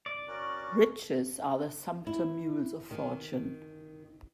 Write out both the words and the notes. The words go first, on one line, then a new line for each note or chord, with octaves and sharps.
Riches are the sumpter mules of fortune.
D5
C#4 F#4 A#4
E4
D#3